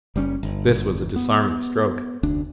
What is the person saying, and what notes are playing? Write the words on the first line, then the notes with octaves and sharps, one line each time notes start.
This was a disarming stroke.
F#1 G3 C4 C#4
G1
B3
F1 D2 D4